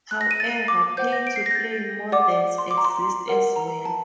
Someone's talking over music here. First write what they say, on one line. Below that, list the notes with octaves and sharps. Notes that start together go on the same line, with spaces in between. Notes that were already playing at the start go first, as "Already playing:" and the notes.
However, pay-to-play models exist as well.
F#6
A#6
D#7
A6
D6
C5 F#5 G6
A#6
D7
C7
A#6
G6
A6
G4 D5 F#5 D6
C6
D6
A#5
C6
A#4 F#5
A#5
A5